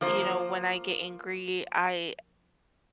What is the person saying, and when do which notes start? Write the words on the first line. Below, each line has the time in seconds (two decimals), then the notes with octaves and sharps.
you know, when I get angry, I
0.01 F3 A#3 C5